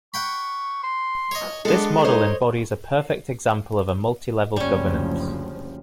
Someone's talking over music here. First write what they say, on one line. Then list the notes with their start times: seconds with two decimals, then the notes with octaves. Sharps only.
This model embodies a perfect example of a multi-level governance.
0.14 F#5 G5 B5 C#6
0.83 C6
1.31 C#5 D#5
1.65 G#3 B3 D4 A4 F5
2.04 D#4 C5 C#5 D#5
4.56 F#1 D2 F3 G3 C#4